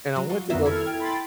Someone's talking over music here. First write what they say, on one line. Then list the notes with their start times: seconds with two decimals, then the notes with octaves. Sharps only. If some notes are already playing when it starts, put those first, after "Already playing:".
and I went to go
0.16 F#3
0.29 F4 F#4
0.50 F2 D#3 B3 F4 F#4 A#4 E5
0.66 E4 A4 F6 G#6
0.86 G5
1.00 B5 C6 A6